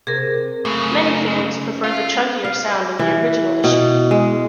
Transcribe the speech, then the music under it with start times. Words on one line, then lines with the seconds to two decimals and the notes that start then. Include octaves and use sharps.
Many fans prefer the chunkier sound of the original issue.
0.07 C3 G#4 A#4
0.65 F#2 C#3 A3
1.28 C#4
1.84 F4
2.44 F5
2.99 E3
3.64 B2
4.11 G#3